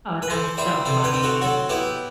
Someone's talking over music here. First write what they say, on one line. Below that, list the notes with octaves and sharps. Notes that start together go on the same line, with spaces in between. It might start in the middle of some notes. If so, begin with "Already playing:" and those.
Oh, that's so funny.
B4
E3 A4 C5
G3 C5 E5
C3 A4 C5
G4 B4
C4
F#4 A4
F#3 F#4 A4
B3 E4 G4